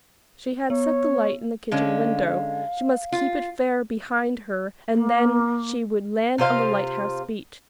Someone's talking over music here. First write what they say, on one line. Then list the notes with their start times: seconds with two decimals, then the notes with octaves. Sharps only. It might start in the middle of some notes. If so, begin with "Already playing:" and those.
She had set the light in the kitchen window; she must keep it fair behind her and then she would land on the lighthouse beach.
0.70 B3 C#5
1.71 D3 G#3 C#4 F5
3.12 F4
4.94 A#3
6.38 C3 F4 C5 F5